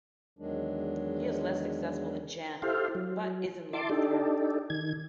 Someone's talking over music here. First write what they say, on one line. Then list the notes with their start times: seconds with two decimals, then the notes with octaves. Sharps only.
He is less successful than Jen, but is in love with her.
0.39 E2 D#3 F#3 G#3 D4
2.62 E4 G4 A4 C5 F5
2.95 F#3
3.73 E4 A5 C6 D6
3.90 D4 D#4 G4 A4
4.70 D#3 G#6